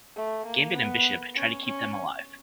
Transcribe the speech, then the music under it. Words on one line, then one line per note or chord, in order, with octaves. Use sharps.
Gambit and Bishop try to keep them alive.
A3
A#3
B3
C#4
C#4